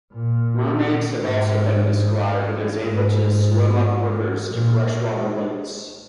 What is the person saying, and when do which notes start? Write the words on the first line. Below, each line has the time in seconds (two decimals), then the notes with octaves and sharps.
Mermaids have also been described as able to swim up rivers to freshwater lakes.
0.12 A#2
1.22 G#2
2.87 G#2
4.51 A#2